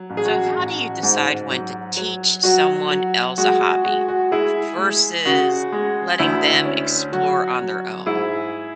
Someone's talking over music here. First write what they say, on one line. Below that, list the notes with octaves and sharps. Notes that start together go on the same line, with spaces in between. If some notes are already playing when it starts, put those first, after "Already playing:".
So how do you decide when to teach someone else a hobby v versus letting them explore on their own?
Already playing: F#3
A1
G#4
F#4
A1
G#2
F#3
F#3
F#3 F#4
F#3
G#3 F#4
F#4
G#3 F#4
F#4
G#3 E4 G#4
G#3
C#3 F#4
G#3
D2 E4
C#4
F#3 F#4
F#3
G#2 E4 G#4